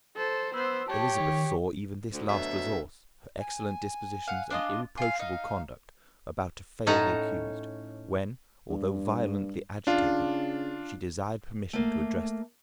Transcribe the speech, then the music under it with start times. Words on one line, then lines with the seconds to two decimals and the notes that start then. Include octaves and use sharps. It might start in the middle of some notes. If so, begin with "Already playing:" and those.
Elizabeth saw even this last resource, her excellent dispositions and irreproachable conduct, about to fail the accused, when, although violently agitated, she desired permission to address the court.
0.16 A4 C5
0.54 B3 C5 E6
0.88 G4 C#5 A5
1.20 D#3
2.12 D2
2.29 D2 B2 F#3 E5
3.40 G#5
4.28 F5 F#5
4.51 D4 F4 D#5
4.97 F4 F5 G#5
5.19 D#4 F5
6.86 A2 C#4 D#4 F#5 A5 A#5
8.69 G2
9.87 C#3 D4 F4
11.73 A3 A#3